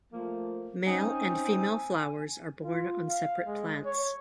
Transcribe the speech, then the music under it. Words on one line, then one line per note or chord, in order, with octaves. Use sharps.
Male and female flowers are borne on separate plants.
F3 A3 A#3
C4 C#4 D#4 G#5
F4
F5
G#3
C#5